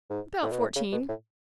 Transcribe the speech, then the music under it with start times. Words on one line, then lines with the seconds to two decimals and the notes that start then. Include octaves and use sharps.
"About fourteen."
0.10 G#2
0.43 A2
0.51 B2
0.60 A2
0.76 C#3
0.92 B2
1.09 A2